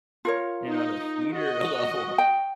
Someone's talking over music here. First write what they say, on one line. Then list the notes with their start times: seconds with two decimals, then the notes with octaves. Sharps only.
you're not a theater level.
0.25 F4 A#4 C#5
0.69 D#4
1.35 F#4 D#5
2.18 G5